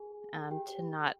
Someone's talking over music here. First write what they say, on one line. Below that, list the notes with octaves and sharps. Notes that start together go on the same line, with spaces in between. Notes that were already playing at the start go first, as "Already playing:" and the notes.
um, to not
Already playing: G#4 G#5
G4 G5